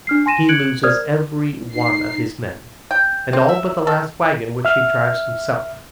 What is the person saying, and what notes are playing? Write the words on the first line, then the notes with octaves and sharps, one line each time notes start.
He loses every one of his men, and all but the last wagon, which he drives himself.
D4 F6 C7
G#5 C6 A#6 D#7 E7
F#6 G#6 C#7 D7 F#7
A#4 C5 D5 D#6 F6 G#6
D#4 C7
G5
C4
E5
A4
E5 F6